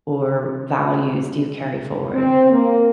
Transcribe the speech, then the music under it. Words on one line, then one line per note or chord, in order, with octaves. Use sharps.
or values do you carry forward?
C4
A#3